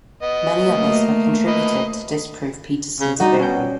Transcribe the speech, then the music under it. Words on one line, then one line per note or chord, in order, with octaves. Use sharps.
Many others have contributed to disprove Petersen's theory.
B3 D#5
A3 A#3
B4 D#5
C#3
G3 D#4 F#4
B2 C#4 G5